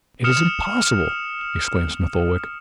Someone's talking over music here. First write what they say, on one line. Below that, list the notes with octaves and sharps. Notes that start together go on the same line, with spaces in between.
"It is impossible!" exclaimed Smith-Oldwick.
D#6 F6 C#7 E7 F7